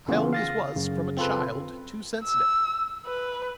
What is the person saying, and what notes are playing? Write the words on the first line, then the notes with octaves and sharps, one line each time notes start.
I always was, from a child, too sensitive.'
C#3 E3 A#3 B3 F4
F5 A6 A#6
F#2 C#3
C4 F4 A4 B4
E6
B4